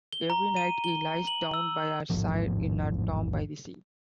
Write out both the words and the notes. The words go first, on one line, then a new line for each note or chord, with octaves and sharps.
Every night he lies down by her side in her tomb by the sea.
G7
A#5
D#7
G7
F#7
E6
E1 A1 G#2 F3